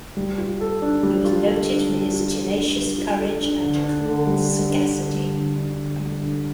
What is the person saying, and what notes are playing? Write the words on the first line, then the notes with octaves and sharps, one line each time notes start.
He was noted for his tenacious courage and cool sagacity.
G3
F4
A4
D4
G3
F4
A4
D4
G3
F4
A4
D4
G3
F4
A4
D4
D3
D4
D3
G3
D3
D4
D3
G3
D3
D4
D3
G3
D3